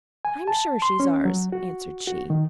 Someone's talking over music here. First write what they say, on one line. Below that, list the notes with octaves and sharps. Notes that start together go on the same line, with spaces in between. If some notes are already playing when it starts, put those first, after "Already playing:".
"I am sure she is ours," answered she.
G#5
A5
C6
C#4
F#3
F#4
F#4
D#3